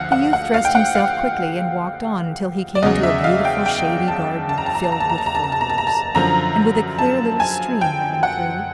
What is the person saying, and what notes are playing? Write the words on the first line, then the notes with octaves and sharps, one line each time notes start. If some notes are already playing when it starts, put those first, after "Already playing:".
The youth dressed himself quickly and walked on till he came to a beautiful shady garden filled with flowers, and with a clear little stream running through.
Already playing: D2 D3 F3 F5 F#5
F#5
F#5
F5
G5
F#5
F5
D5
E2 C#3 F#3 D#5
E5
F5
G5
G5
A5
A5
A#5
A5
A#5
A5
A#5
A5
A#5
A5
A#5
A5
A#5
A5
A#5
A5
A#5
A5
F#2 D3 F3 A#5
A5
G#5
G5
F#5